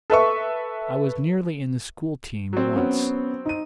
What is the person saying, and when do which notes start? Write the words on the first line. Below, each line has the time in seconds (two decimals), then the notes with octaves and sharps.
I was nearly in the school team once.
0.10 A4 B4 E5 C#6
2.53 F#3 C4
2.76 B3 C#4
3.45 D#4 D#7